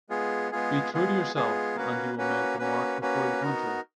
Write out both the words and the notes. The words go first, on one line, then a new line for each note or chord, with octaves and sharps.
Be true to yourself and you will make the mark before your country.
G#3 B3 F4 G#4
G#3 B3 F4 G#4
G#3 B3 F4 G#4
G#3 B3 F4 G#4
A#3 C#4 F#4 B4
A#3 C#4 F#4 B4
A#3 C#4 F#4 B4
A#3 C#4 F#4 B4
B3 D#4 F#4 A#4